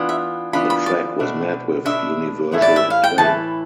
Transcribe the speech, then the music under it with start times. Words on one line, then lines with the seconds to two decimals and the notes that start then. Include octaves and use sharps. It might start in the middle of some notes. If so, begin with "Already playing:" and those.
The track was met with universal acclaim.
Already playing: E3 B3 D4 F4
0.09 E5
0.53 E3 B3 D4 F4 B5
0.70 B5
0.86 D5
1.20 B2 A3 D4
1.85 B2 A3 D4 E5
2.52 A2 E3 A3 E4
2.62 D5
2.76 E5
2.90 F5
3.04 G5
3.18 A2 E3 A3 E4 A5